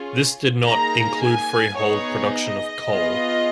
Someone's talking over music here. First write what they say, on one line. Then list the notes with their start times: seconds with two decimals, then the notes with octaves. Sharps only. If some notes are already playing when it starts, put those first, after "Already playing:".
This did not "include freehold production of coal".
Already playing: C#4 F4 G#4
0.66 A#3 D#4 G#4 A#5
1.22 G#5
1.77 B3 D#4 G#4 C#5
2.32 D#5
2.87 B3 F4 G#4